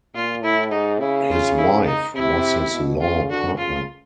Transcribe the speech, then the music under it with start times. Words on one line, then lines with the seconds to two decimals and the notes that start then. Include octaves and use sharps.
His wife was his law partner.
0.14 A#2 F4
0.43 A2 E4
0.71 G#2 D#4
1.00 C#3 E4
1.29 F4
1.58 E4
1.86 D#4
2.15 C3 E4
2.72 B2
3.01 C#3 F4
3.30 D3 F#4
3.58 C#3 F4